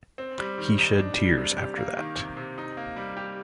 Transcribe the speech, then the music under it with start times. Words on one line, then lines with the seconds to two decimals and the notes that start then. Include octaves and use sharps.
He shed tears after that.
0.18 C4
0.39 G3
0.58 D#3
0.78 D#4
0.98 D4
1.18 G3
1.38 C3
1.58 G4
1.78 A#3
1.98 D#3
2.17 C3
2.37 C3
2.58 D#4
2.77 A#3
2.96 G3
3.17 G4